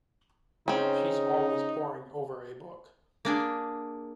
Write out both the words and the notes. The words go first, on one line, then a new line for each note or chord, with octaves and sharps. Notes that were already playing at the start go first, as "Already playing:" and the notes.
She’s always poring over a book.
C#3 C4 C#4 D#4
A#3 D4 G#4